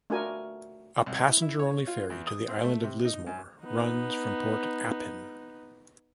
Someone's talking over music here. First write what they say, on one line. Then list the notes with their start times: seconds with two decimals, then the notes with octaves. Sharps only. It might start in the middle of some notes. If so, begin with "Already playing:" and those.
A passenger-only ferry to the island of Lismore runs from Port Appin.
0.10 A3 D4 F4 F#4 A#4 G#5
1.06 C2
1.28 E4
1.42 E4
1.59 C#5
1.87 F4
2.10 E2
2.27 D#6
2.48 C4
2.64 A3
2.83 C3
3.05 D#4
3.27 F#2
3.63 B3 D#4